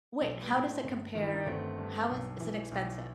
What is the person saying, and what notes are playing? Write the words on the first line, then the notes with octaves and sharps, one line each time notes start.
Wait, how does it compare? How is is it expensive?
B1 A3
G3 B3
A2
A3 C4
G1
D#3
E4
D#4
G1 A3 C4
G2
B1
E3
B1